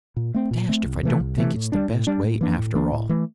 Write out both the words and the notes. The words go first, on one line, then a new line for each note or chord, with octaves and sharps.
Dashed if I don't think it's the best way after all.
A#2
A3 C4
A#2
A3 C4
C2
C3 E3 A3
C2
C3 E3 A3
A2
G3 D4
A2
G3 D4
A2
E3 A#3 D4
A2
E3 A#3 D4
A2
E3 A3